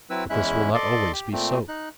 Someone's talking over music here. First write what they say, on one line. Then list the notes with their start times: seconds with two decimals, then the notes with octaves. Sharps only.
But this will not always be so.
0.10 F#3 C4 E4 B4 E6
0.30 E2 G#3 C#4 E4 E5 F#6
0.74 A4 D5 D#5 C6 D6
1.12 G4
1.32 A#2 A3 C4
1.68 D#4 F#6